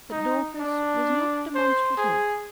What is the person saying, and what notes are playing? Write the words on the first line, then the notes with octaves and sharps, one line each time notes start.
But Dorcas was not demonstrative.
D#4
D4
C5
G#4